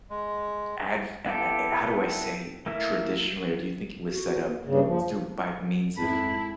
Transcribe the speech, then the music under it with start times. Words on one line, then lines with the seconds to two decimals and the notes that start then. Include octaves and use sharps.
adv a a how do I say, traditionally? Or do you think it was set up through by means of
0.10 G#3
1.26 B3 E4 G4 A4
2.66 A3 A#3 E4 E5
4.08 F#4
4.47 A#3
4.66 G2 C#3
4.84 F3
5.97 F2 G#2 E4 A5 B5